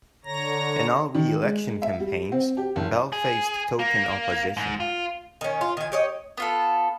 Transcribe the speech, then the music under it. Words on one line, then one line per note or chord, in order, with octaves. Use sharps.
In all re-election campaigns, Bell faced token opposition.
D3 C#5 A#5 A#6
D#3
G#3
E5
G3
C4
G4
F#1
G#4
A#3
G#2
F4
D#3 C#4
F4
D#3 G#5
G4 C#5 D#5
B3 F4 A4